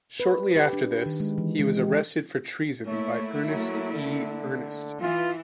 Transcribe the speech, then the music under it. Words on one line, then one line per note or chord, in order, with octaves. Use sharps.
Shortly after this, he was arrested for treason by Ernest E. Earnest.
B4
G4
D4
D#3
G#3
E3
G#3
G4
A3 A#3 E4 C#5
F#3
D3
E3 F4